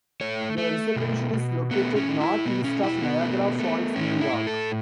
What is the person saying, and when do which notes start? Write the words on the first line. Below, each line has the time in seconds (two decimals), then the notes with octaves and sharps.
The reservation is located northeast of Niagara Falls, New York.
0.21 A3 C#5
0.58 A3
0.96 B2
1.33 B2
1.71 A3 B3
1.96 C#4
2.09 A3
2.20 E4
2.45 B2 B3
2.64 C#4
2.83 B2 E4
3.02 B3
3.21 A3
3.59 A3
3.96 A2 C#4
4.21 E4
4.33 A2
4.47 A4